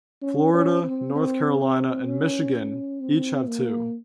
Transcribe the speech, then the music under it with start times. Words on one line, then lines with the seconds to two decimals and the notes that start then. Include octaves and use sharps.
Florida, North Carolina, and Michigan each have two.
0.22 C#4
0.54 C#4
0.84 C4
1.15 C4
1.62 C4
2.08 C#4
2.55 C#4
3.01 C4
3.47 A#3